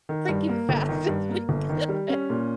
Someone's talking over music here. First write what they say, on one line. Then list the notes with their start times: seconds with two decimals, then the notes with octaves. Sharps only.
freaking fast as we could.
0.09 D#3
0.29 G2
0.49 A#3
0.69 G1
0.89 D#3
1.09 G2
1.29 A#3
1.49 G1
1.69 D#3
1.89 G3
2.09 C#4
2.30 A#2